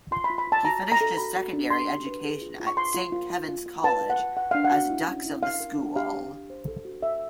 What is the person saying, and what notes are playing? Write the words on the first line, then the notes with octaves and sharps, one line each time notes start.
He finished his secondary education at Saint Kevin's College as dux of the school.
F4 C6
B5
F4
B5
F4 A5
F#4 A#5
C#5
A#5
A4
F#4 B5
F#4
D4
G4 C6
G4
B4
G#4
F4
F4
C#6
F4 C6
F4
F4
F4
F4
F4
B4 A5
B4
F#5
B4
B4 F#5
D4 F5
F#5
F#4
E4
C#4
E4
C#5 F5
A#4
D4
G4 F5
G4
G4
C5
A4
F#4
A4 E5